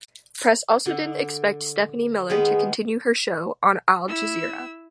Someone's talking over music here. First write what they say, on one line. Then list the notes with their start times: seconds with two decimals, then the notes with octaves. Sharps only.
Press also didn't expect Stephanie Miller to continue her show on Al Jazeera.
0.86 D3
2.30 D#3 G#3 B3 G#4
4.08 E4 E6